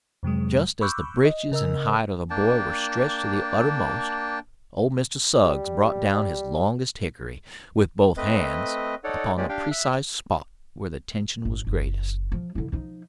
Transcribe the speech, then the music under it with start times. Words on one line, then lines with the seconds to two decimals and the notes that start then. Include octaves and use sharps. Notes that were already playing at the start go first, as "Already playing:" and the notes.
Just as the breeches and hide of the boy were stretched to the uttermost, old Mr. Suggs brought down his longest hickory, with both hands, upon the precise spot where the tension was greatest.
0.23 F2 C3 F#3 G#3
0.81 B5 C#6 D6 E6 F#6 G6
1.25 D#5
1.52 C#3 A#4 D#5 E6
2.30 A#3 D4 G5 A5
5.44 G3
8.17 A3 C4 B4 D#5
9.04 D#4 A4 C#5 D5 F#5
9.37 F3 G#3 A#3 C#4 G4 D5
9.49 D4 G4 F5 G5
9.71 E5 F#6
11.45 G1
11.67 F#1
12.32 F3
12.55 D3 E4
12.72 F3 D#4